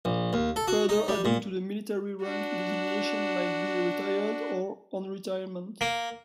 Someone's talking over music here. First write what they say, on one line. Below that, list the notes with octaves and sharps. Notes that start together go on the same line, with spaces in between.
Further adding to the military rank designation might be "retired" or "on retirement".
A#1
D#2
A4
F#4
D#4
G3
A#2
D4 F#4
A#3